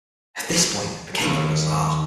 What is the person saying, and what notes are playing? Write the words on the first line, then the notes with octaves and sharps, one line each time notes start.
At this point, the game got bizarre.
D#2